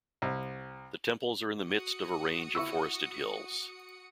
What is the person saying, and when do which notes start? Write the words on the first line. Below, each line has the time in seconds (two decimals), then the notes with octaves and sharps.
The temples are in the midst of a range of forested hills.
0.22 C2
1.66 F#4 D#6 C#7
2.55 E4 C#6 E6